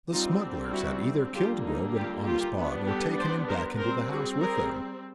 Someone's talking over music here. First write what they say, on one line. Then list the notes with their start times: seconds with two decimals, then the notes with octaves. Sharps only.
The smugglers had either killed Grogan on the spot or taken him back into the house with them.
0.11 D3 G3 C4 D#4 F4
0.73 E4 F#4
1.34 D3 G3 A#3 F4 G4
1.65 D#4
1.95 F4 G4
2.25 F4 G4
2.57 G3 B3 D4
2.87 G4 A4
3.18 C5 D5
3.48 A#4 C5
3.79 G3 C4 A#4 C5
4.10 F#4 G#4
4.40 G#4 A#4